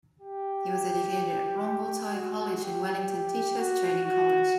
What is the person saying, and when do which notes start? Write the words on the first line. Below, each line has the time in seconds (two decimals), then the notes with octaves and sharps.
He was educated at Rongotai College and Wellington Teacher's Training College.
0.20 G4
2.13 F#4
2.62 G4
3.58 F#4
4.04 F#4